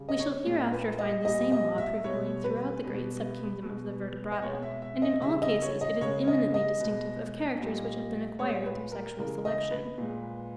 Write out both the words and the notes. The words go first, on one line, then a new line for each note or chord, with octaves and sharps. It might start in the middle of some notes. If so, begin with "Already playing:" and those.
We shall hereafter find the same law prevailing throughout the great sub-kingdom of the Vertebrata; and in all cases it is eminently distinctive of characters which have been acquired through sexual selection.
Already playing: C#3 G3
D#5
C#5
A#2 G#3
B4
D#5
A#2 G3 D#5
D#5
E5
B2 G3 C#5
B4
B2 G3
B2 G#3
D#5
B2 G#3 C#5
E5
E5
D#5
C#3 E3 G3 E5
D#5
C#5
D#5
C#3 G#3 C#5
D#5
D#5
B2 G#3
A#2 G3
A#2 G#3 C#5
B4
A#4
C#3 E3 G#3 A#4
D#5
B4
A#2 G#3